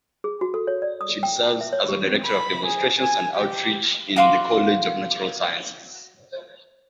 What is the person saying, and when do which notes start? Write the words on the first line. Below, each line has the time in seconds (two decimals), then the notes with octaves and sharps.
She serves as Director of Demonstrations and Outreach in the College of Natural Sciences.
0.24 G#4
0.41 F#4
0.54 A4
0.67 C#5
0.82 D5
1.01 D#6
1.23 G5
1.43 A5
1.61 E5
1.73 C#5
1.89 G4
2.25 B5
2.66 G#4
2.98 G#5
3.35 G4
4.16 F#4 F5 C6 D6